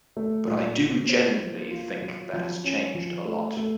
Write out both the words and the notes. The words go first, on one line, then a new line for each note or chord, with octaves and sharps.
But I do genuinely think that has changed, a lot.
A3
A#2
F#4
C5
A#3
F4
F#3
F3
C#4
F3
A3
A3